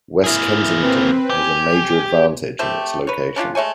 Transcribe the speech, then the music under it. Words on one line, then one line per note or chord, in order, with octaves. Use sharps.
West Kensington has a major advantage in its location.
A#3 E4 G#4
C4 B4
G4 G#5
A3 C4 G4 E5
B4 C#5
C#4 D4 E4 F4
G#3 A3 C#5 G#5